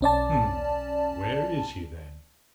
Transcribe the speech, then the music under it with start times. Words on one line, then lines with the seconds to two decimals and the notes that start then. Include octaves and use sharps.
"Hm, where is he, then?"
0.01 B1 C#4 D5 A5